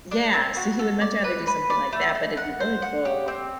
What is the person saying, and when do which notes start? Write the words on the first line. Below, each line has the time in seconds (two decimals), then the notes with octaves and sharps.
Yeah, so he would much rather do something like that, but it'd be really cool.
0.11 D4
0.34 C4
0.57 F#4
0.79 A4
1.01 D5
1.24 B4
1.47 B4
1.70 D5
1.92 A3
2.15 A3
2.37 F#5
2.60 C5
2.82 F#5
3.05 G4
3.28 C4